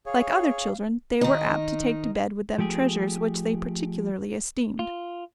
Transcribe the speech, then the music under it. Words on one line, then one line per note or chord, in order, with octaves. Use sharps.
Like other children, they were apt to take to bed with them treasures which they particularly esteemed.
G#4 C#5 F5
D#3 D#4
F3 A3 G4 G#4
F4